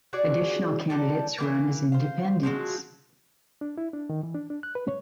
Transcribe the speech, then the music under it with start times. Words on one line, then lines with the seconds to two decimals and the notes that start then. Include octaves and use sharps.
Additional candidates run as independents.
0.13 F#4 G#4 D5
0.90 F#3 G3 A4
1.38 E3 G3 A#3
1.92 C5 F5
2.43 F3 F#3 G#3 F#4
3.61 D4
3.78 E4
3.93 D4
4.10 D#3
4.23 E3
4.35 D4
4.50 D4
4.63 F#6
4.75 B4
4.88 C#5